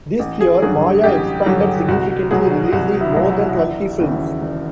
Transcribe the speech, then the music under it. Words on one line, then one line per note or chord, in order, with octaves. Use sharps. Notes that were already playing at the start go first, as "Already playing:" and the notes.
This year, Maya expanded significantly releasing more than twenty films.
A1
G#4
G2 D3 F#3 G#4
A1 G4
G2 D3 F#3
C2 F#4
B2 F#3 G#4
C2 F#4
E4
B2 F#3
E4
E1
D#2 C#3 E3
E1